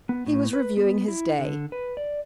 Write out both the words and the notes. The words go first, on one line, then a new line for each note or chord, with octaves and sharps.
He was reviewing his day.
B3
A2
B4
B3
E4
D3
B4
D5